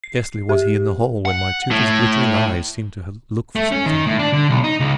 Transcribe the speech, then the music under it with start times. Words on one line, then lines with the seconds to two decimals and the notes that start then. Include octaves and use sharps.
Scarcely was he in the hall when my tutor's glittering eyes seemed to look for something.
0.04 C7
0.49 G4
1.25 F#5
1.71 A2
3.56 A3
3.72 C#4
3.86 D#3
4.07 A2
4.19 D4
4.33 D3
4.50 B1
4.64 D#4
4.80 C#2